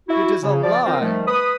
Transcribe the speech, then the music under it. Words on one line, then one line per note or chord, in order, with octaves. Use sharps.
"It is a lie!"
E4 F#4
C#3
F3 D5
F3 C4 A#4 C5
D#3 F3 G3 A3
B4 D#6